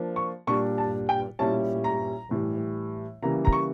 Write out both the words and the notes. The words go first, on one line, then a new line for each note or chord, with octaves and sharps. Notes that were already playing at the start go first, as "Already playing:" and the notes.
And what do you think about father?
Already playing: F3 A#3 D4
C#6
A#2 G3 D4 C#6
A5
G5
A#2 G3 C#4 E4 A5
A#5
A2 E3 G3
C#3 E3 G3 A#3 A#5
A#5
C#6